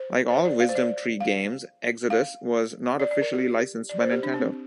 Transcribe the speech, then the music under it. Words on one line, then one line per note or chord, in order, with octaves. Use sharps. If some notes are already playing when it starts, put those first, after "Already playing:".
Like all Wisdom Tree games, "Exodus" was not officially licensed by Nintendo.
Already playing: C5
C5
D5
F5
C5
D5
F5
F5
D5
D5
A#4
G4
D5
C5
G4
D4
C4